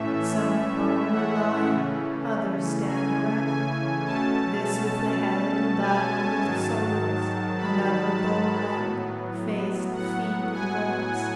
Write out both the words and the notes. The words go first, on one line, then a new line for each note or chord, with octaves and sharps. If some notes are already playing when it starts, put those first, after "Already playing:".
Some prone are lying, others stand erect, This with the head, and that one with the soles; Another, bow-like, face to feet inverts.
Already playing: A2 E3 A3 C#4 E5
F#5
C#3 E3 A3 C#4
G#5
G#5
B2 A3 C#4 A5
G#5
G#2 D#3 F#3 A5
B5
A5
A2 F#3 B3
F#5
G#5